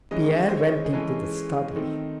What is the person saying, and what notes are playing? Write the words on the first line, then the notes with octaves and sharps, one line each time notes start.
Pierre went into the study.
E3 G#3 C#4 D#5
E5
C5
C#5
D#5
G#4
E3 G#3 C#4 A4
D#3 A3 C4 D#4